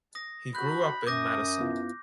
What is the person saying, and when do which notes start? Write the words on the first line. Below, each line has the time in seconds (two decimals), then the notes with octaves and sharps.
He grew up in Madison.
0.15 D#6 A#6
0.55 F#4 B5 F#6 G6
1.07 F#2 D6 D#6 G6 A#6
1.60 B3 E4 F4